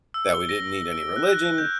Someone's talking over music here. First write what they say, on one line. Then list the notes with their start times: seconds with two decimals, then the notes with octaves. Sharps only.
that we didn't need any religion,
0.14 E6
0.35 G7
0.49 A#6
0.92 D7
1.16 F#6
1.29 F#6
1.58 G6